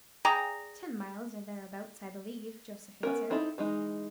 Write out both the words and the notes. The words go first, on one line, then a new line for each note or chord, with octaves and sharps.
"Ten miles, or thereabouts, I believe," Joseph answered.
G#4 D5 G5 A#5
B3 C#4 A#4
C4 D#4 E4 A4 B5
E3 G#3 D#4